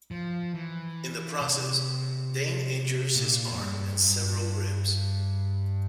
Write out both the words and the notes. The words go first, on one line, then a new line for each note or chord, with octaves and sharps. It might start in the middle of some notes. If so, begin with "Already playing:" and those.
In the process, Dain injures his arm and several ribs.
F3
E3
C3
A#2
F2
G2
G2